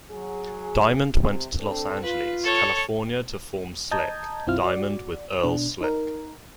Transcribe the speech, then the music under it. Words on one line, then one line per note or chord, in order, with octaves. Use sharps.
Diamond went to Los Angeles, California to form Slick Diamond with Earl Slick.
F#3 G#4
C3
C4 D4 A4
F4 B4
A4 C#5
D#5 A5 A#5 D#6 G6 G#6
B1 F#2 C4 E4 F4 F6
F#4 D5
B2 D4
D#4 A#4